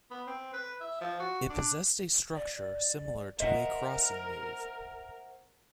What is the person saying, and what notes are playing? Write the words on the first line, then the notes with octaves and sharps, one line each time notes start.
It possessed a structure similar to a crossing nave.
B3
C4
B4
E5
F3
F#4
D4
D5
A#4 C5 D#5 E5 F#5